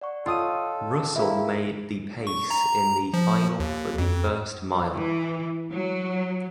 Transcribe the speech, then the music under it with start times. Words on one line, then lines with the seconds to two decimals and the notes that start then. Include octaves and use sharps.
Russell made the pace in the final for the first mile.
0.01 D5 F#5 C#6
0.26 F4 A4 C#5 D#5 G5 D#6 D#7
1.16 E4 G#4 A#4 E5 F5
2.27 C#6
2.51 A#5
3.14 F3
3.60 D#2
3.98 F2
4.96 E3
5.72 F#3